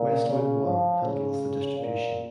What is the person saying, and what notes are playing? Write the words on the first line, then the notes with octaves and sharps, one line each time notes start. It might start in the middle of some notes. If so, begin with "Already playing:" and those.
Westwood One handles the distribution.
Already playing: A#2
C#3
F3
C#3
A#2